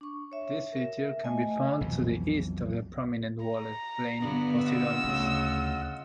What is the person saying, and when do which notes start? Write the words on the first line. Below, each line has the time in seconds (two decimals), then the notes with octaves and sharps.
This feature can be found to the east of the prominent walled plain Posidonius.
0.01 D4 C#6
0.32 C#5 E5
0.73 A#4 E5
1.24 A3 D#5 G#5
1.81 B1 F2 B2 E3
3.46 A#5
4.20 G2 D3 B3
4.64 F4 D#5 F#5 E6
5.04 D2 C#3